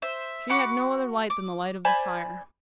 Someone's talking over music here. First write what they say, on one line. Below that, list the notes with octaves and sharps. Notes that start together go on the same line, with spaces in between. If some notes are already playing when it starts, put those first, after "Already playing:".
She had no other light than the light of the fire.
C5 E5
F#4 F#5 B5 D6
D6
C5 D5 G#5 B5